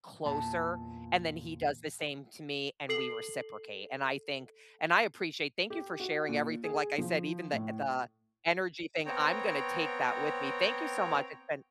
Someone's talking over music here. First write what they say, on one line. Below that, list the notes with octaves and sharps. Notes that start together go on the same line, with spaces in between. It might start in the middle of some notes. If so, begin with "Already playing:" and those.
closer, and then, he does the same to me and we reciprocate, and I think and, I appreciate thank you for sharing everything, like I said, even the the energy thing, I'm gonna take that with me, thank you so much, it's been
E2 A#2 A5
A4 C7 F#7
G4
F#4
A#2
G#4
F3
A2
B3 C4 C#5 G5 A#5